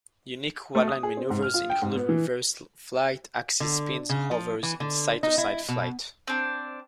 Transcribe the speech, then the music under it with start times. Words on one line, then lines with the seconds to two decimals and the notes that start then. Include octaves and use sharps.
Unique quadline maneuvers include reverse flight, axis spins, hovers, and side to side flight.
0.75 A3
0.88 D#6
1.03 G#4
1.17 C4
1.30 G#2
1.42 F6
1.54 F4
1.70 G5
1.82 G#2
1.95 B3
2.09 E3
3.60 D3
4.10 C#3
4.31 F3
4.63 E3
4.80 D3
5.23 D#4
5.38 E4
5.69 B2
6.27 C4 D4